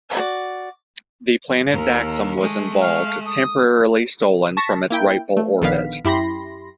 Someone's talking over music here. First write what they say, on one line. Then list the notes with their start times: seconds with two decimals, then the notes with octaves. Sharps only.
The planet Daxam was involved, temporarily stolen from its rightful orbit.
0.17 F#4 D5
1.70 D#2 A#4
2.39 G#3 A3
2.80 F5
3.26 D#6
4.57 A5 C#6 A#6 B6
4.90 A#3 E4 G5
5.37 A3
5.62 A#1 D3 D#3 B3 F5 B6
6.05 F#2 E4 G4 B5 C6 A#6